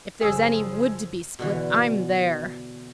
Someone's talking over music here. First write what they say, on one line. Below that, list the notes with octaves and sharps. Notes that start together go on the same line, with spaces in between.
"If there's any wood to be split, I'm there!"
F#1 F3 G#4 D#6 E6
B2 D3 E3